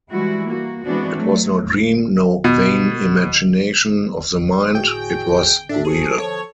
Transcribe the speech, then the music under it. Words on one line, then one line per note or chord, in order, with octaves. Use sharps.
It was no dream, no vain imagination of the mind-it was real.
E3 G3 G#3 E4 F#4
A#3 F#4
E3 G#3 B3 C4 D4 F#4
F#3 A3
A2
B2
A2 F#4 G#4 G5
A2 D4 A4 E5
F3 F#4 G#4
F3 C#5